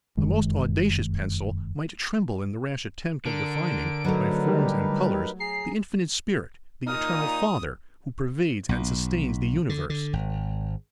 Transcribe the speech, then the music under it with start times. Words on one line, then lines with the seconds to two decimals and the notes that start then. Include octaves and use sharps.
The most audacious pencil might tremble in the rash attempt of defining, by forms and colors, the infinite Spirit, the eternal Father, who pervades and sustains the universe.
0.17 F1 F#2 D#3 G#3
3.26 D3 A#4 D7
4.05 F#3 A3 D#4 A#4 B4
4.48 G3
5.40 G#4 A#5 C7
6.87 A#2 D#4 D#6 F6
7.26 A#5
8.69 B1
9.69 D3
9.90 D3
10.13 G#1